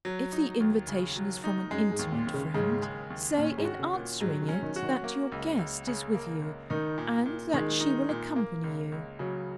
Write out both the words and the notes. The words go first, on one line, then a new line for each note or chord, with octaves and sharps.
If the invitation is from an intimate friend, say, in answering it, that your guest is with you, and that she will accompany you.
F#3
D#4
D#2
C#3
F#3
D#4
F#2 G#3
G#2
D#2
A#2
D#2
C#3
G#2 C#3
G#3
D#2
A#2 C#4
G#2
F#4
C#3
A#2
G#2 F#3
C#3
C#4
D#3
F#4
D#3
A#3
C#2
C#2
C#3
A#3
C#2
D#3 D#4
A#2
A#2
D#3 G#3
D#4
A#2
A#3
C#2
C#2
C#3 F#3